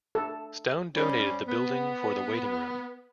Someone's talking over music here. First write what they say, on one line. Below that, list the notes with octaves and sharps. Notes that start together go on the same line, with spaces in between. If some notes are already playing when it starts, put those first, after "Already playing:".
Stone donated the building for the waiting room.
A4
G3 C4 C#4
B3